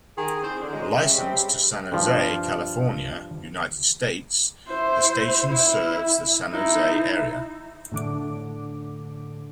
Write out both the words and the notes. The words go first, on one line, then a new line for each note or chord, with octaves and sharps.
Licensed to San Jose, California, United States, the station serves the San Jose area.
D#3 G#4
E3 C4 C5
D3
G#2 F#3 G#3
C3 G#3 C4 C#4 E5
G3 C4
G2 F3
E4 C5
E4
D#4 E4
A2 D3 D6